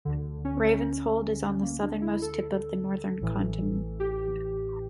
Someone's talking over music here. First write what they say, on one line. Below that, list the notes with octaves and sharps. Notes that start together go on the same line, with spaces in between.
Ravenshold is on the southernmost tip of the northern continent.
D2 D3
C#4
A#3
D4
E4
A4
A1 A2 E3
G4